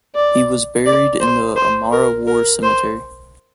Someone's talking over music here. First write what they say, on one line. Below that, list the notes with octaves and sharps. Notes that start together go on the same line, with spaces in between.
He was buried in the Amara War Cemetery.
D5
D5
C5
C5
A#4
A#4
C5